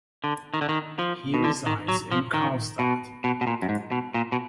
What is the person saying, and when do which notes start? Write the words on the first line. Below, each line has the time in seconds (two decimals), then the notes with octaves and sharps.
He resides in Karlstad.
0.24 D3
0.54 D#3
0.61 D3
0.69 D#3
0.99 F3
1.34 B2
1.44 D3
1.66 D#3
1.88 F#3
2.11 F3
2.34 D#3
2.79 B2
3.24 B2
3.41 B2
3.47 A#2
3.62 F#2
3.69 G#2
3.91 B2
4.14 A#2
4.32 B2